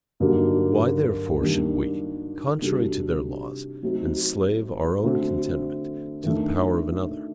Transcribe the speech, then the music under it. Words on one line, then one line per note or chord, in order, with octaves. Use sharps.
Why therefore should we, contrary to their laws, enslave our own contentment to the power of another?
G2 D3 F#3 A#3 D#4
D#3 G3 A#3 D4
C3 G3 D4 F#4 A4
F#3 A3 C4 D#4 F#4
D3 A3 C4 F#4
D#3 A3 D4